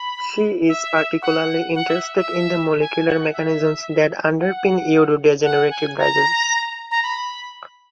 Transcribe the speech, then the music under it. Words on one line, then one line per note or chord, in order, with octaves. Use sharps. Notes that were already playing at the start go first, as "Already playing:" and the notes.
She is particularly interested in the molecular mechanisms that underpin neurodegenerative diseases.
Already playing: B5
E5
F#5
F#5
E5
E5
G#5
F#5
E5
F#5
F#5
G#5
A#5
A#5
B5